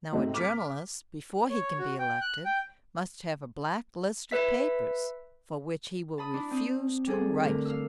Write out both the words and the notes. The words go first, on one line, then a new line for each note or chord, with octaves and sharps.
Now a journalist, before he can be elected, must have a black-list of papers for which he will refuse to write.
G#2 C3 F#3 A3 C4 D#4
D6 F6 B6
C#5
F#4
G5
F#6
G5
B4 E5 B6
A5 B5 D#6
D4 E4
C4 D#6
G3 G#4 A4
D3 A3 A#4
F5 E6